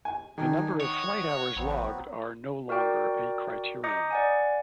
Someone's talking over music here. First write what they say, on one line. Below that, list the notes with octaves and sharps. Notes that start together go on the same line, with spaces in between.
The number of flight hours logged are no longer a criterion.
G#5
D#3 D4 D#4 G#5
C#5 D#5 F#5
F#4
A1 F#3 B3 C4
F#4 A#4 D5 G5 D6
D#5 A#5 D6 D#6 G6 C#7
D5 F#5 G#5